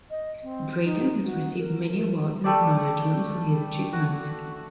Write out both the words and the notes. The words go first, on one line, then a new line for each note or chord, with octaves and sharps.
Drayton has received many awards and acknowledgments for his achievements.
D#5
C4
D#4
F#4
A#4
G3 A3 G4 D5
F#4